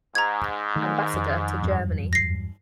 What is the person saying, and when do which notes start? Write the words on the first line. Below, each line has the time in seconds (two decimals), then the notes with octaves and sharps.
Ambassador to Germany.
0.15 G#2 A#5 G#6
0.76 D#3 A3
1.14 F2
1.62 E2 G2 F#3
2.13 A#6 C7